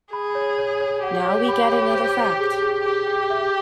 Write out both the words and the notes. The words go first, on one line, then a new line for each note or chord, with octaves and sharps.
Now we get another fact.
G#4 B5
C#5
C#5
C#5
G4 F#5
C#5
B5
C#5
C5
C5
G#4
G#4
G4 G#4
G5
E5